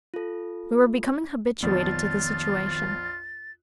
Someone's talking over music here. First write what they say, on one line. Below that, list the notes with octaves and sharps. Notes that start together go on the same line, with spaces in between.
We were becoming habituated to the situation.
F4 A4
A#1 F2 D#3 B3 F4 A6